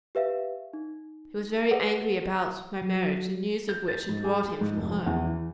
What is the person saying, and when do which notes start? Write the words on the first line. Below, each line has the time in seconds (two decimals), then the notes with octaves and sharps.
He was very angry about my marriage, the news of which had brought him from home.
0.15 G4 B4 E5 F5
0.73 D#4
1.71 G#4 A4 B4 F#5
2.82 F#3
3.69 G6
3.88 A6
4.09 G#2
4.24 G#4
4.46 G#4
4.61 G#2
4.77 F1
4.90 F3
5.06 E2
5.25 E3